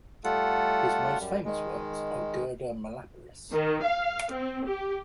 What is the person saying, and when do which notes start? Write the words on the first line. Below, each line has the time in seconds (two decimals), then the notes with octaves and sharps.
His most famous works are Gerda malaperis!
0.24 G3 A3 F4 A4 F#5
1.20 F#2 G3
1.45 D#3 G#3
3.52 D#3
3.83 F5
4.33 C4
4.67 G4